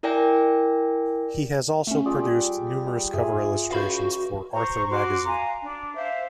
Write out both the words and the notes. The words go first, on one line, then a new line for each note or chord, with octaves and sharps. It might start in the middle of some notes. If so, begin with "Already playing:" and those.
He has also produced numerous cover illustrations for "Arthur Magazine".
E4 A#4 D5 G5 G#5 A#6
A3 C#4
G3 F4 G#4 D5
G2 F4 G#4 E5
C#2 F#4 F5 B5 G6
C5 A#5 C#6
F#4 C6 D6
F5 G#5 A#5
D4
C5 E5 F5